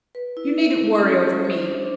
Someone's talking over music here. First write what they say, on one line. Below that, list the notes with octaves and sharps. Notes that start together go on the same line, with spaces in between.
You needn't worry over me.
B4
E4
E5
A4
C#4
C5
C5
D4